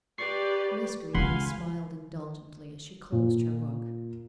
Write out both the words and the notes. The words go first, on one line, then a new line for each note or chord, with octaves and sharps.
Miss Green smiled indulgently as she closed her book.
G4 B4 D5 C#6 C7
C#2 E3 F4 F5 F#5 G#5 B5 C6
A#2